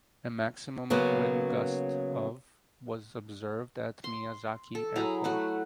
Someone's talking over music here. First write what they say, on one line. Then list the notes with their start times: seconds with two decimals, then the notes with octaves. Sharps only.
A maximum wind gust of was observed at Miyazaki Airport.
0.90 C#3 F#3 A#3 B3
4.04 C6
4.75 A4
4.96 F#3 E4 G#4 A#5
5.24 A3 F#4 F#5